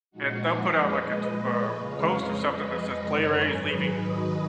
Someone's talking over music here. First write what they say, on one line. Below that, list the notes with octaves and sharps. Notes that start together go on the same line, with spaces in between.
and they'll put out, like, a, tw um, post or something that says "Player A is leaving”
A#2 F3 G#3 D#4 F#4
F2 F3 G#3 B4 D#5
A#2 F3 G#3 B4 D#5
A#2 G#3
F2 C#3 G#3 C#5 F5
F2 F3 G#3 B4 D#5
F2 F3 G#3
F#2 C#3 G#3 A#4 C#5
G#2 D#3 F#3 G#4 B4
G#2 D#3 F#3 B4 D#5